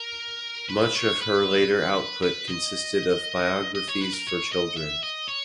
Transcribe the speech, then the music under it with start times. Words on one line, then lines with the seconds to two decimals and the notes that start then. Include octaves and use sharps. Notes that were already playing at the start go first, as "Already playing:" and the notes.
Much of her later output consisted of biographies for children.
Already playing: A#4
0.70 B4
0.96 C#5
1.21 B4
2.23 B4
2.48 D#5
3.75 D#5
3.89 C#5
4.01 B4
4.13 A#4
4.27 C#5
4.53 D#5
4.77 E5
5.03 D#5
5.29 C#5